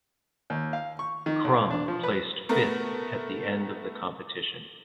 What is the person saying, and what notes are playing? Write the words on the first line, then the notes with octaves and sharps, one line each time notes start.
Krumm placed fifth at the end of the competition.
D#2
F5
C#6
D#3
B1
D4
F3
B4
A3 B3 A#4